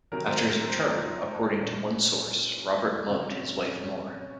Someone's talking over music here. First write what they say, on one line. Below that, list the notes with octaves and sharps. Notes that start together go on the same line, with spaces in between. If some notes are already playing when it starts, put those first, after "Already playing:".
After his return according to one source Robert loved his wife more.
C3 D#3 F#3 A#4
C5
A#4
A#4
C5
D#4
F4
D#4
A#2 G#3 C#4
C#3 F#3 C4
C#4
C#4
C#4
C#4